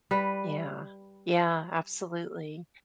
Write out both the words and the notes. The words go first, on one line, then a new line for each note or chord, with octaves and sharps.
Yeah, yeah absolutely.
G3 B4